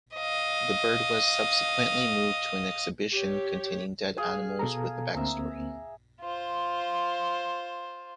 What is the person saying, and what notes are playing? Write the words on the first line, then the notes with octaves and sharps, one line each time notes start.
The bird was subsequently moved to an exhibition containing dead animals with a backstory.
D#5 F5
G4 C#5
G#4 F5 G#5
B2 A4 A#5
D2 A#3 C4 E5 A#5
F4 C5